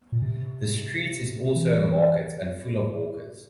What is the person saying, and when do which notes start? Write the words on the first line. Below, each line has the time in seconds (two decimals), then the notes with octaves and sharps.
The street is also a market and full of hawkers.
0.12 A#2
0.22 C3
1.56 E3